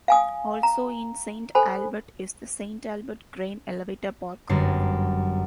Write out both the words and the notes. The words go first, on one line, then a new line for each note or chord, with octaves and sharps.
Also in Saint Albert is the Saint Albert Grain Elevator Park.
F5 G#5 D#6
A#5
A4 C5 G#5 B5
G1 F#2 C7